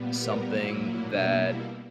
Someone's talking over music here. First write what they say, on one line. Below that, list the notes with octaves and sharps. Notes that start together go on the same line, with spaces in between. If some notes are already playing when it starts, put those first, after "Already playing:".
something that
Already playing: A#2 G3 B3
A#4
A#2 F#3 A#3 E4
B2 G3 A#3 D4
E4